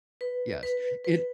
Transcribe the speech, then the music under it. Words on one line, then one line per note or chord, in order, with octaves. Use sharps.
Yes. It
B4
B4
B4